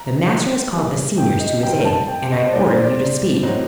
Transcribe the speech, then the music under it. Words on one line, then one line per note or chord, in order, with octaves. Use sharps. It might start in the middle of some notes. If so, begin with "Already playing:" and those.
The master has called the seniors to his aid, and I order you to speak.
Already playing: A#5
G3 A#3 D4
G5
D#5
D#3 G3 C4 D#4 G5
A5
G5
D#5
C5
F#3 A#3 D#4 D5
C5
D5
A2 F#3 C4 D#4